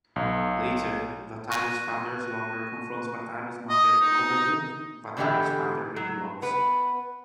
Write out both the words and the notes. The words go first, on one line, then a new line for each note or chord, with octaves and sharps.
Later, Wataru's father's lover confronts Wataru's mother over who Wataru's father really loves.
B1
C#6 F#6 A#6 D#7
D#5
D#4
B2 D3 E3 G3 G4 E5
F#3
B3 B4